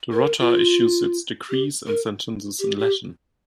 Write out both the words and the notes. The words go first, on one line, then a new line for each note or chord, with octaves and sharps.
The Rota issues its decrees and sentences in Latin.
A#4
F4
G4
A#4
G4
G4